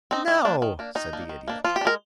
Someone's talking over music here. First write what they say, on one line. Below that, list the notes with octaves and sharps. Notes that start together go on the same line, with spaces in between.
"No," said the Idiot.
C4 D#4
D#3
A#3 D4
D#3
A#3 D4
D#3 D#4
A#3 D4
D#3
A#3 D4
F3 F4
G4
D4
G#3 A#4